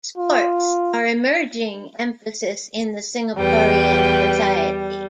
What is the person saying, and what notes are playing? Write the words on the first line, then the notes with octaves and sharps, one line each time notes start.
Sports are an emerging emphasis in the Singaporean society.
F4
E2 G3 B4 G5